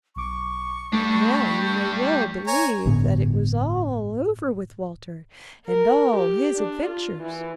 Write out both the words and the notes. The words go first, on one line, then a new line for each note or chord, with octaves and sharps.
Now you may well believe that it was all over with Walter and all his adventures.
B1 C#6 D6
G3 A3 D4
C#5 G#5 A#5
G1 A2 D3 B3
A#4
G4
D4
F4
E3